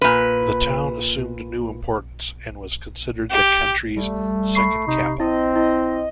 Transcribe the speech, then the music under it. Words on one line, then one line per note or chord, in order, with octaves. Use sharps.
The town assumed new importance and was considered the country's second capital.
A#2 B4
G4
G3 A3
B5 C#6 C7
C3 D#4
C4 E4 D#5
E4